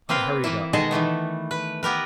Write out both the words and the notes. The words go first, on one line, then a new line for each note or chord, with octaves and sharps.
I hurried up.
A#3 C4 B4 F5 G5
E3 A#3 E4
B2 D#3 G#3 G#4 A4 D#5
D#3 E3 A3 B3
B4
B3 G4 A#4 B4